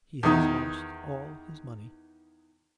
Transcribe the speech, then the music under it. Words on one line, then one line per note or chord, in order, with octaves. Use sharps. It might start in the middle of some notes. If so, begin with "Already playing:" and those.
He has lost all his money....
E2 D#3